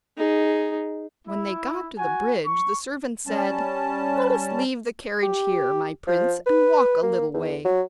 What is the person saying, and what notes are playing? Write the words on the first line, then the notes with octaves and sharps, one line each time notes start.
When they got to the bridge the servant said: 'Let us leave the carriage here, my prince, and walk a little way.
D#4 G#4
E4
F#4 G#5
C#6
G3 C#4 A5
G4
F3
B4
A#3
E2
F#3